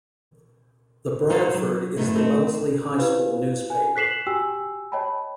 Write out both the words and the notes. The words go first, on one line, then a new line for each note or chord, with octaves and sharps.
The Bradford is the Wellesley High School newspaper.
D#4 A4 B4 C5 D5 F5
F#3
G2 B2 D#3 A3 E4
A3 B3 C4 D#4
E4 G4 B4 C5 F5
G#5
F#6 B6 C7 E7 F#7
F#4 G4 G5 G#5 E6
C#5 D#5 G5 A5 B5